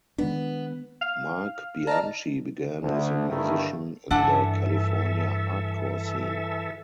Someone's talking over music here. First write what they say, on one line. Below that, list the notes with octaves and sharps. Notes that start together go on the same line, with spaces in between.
Marc Bianchi began as a musician in the California hardcore scene.
D#3 G#3 B3 D4
F5
D5 D#5 A5 A#5 F6
D2
G2 D3 D#3 A3 A#3 E4
G2 E3 D4 A4 E5 F#5 G#5